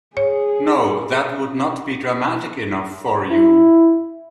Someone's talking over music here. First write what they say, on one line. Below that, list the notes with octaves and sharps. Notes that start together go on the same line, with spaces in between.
No, that would not be dramatic enough for you.
G#4 C#5
E4